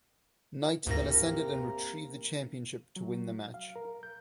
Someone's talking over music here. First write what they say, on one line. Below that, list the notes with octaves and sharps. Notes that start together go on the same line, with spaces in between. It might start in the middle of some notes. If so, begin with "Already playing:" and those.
Knight then ascended and retrieved the championship to win the match.
D2 G#2 C3 A#3 A#4 A#6
F#3
F5
A#4
G6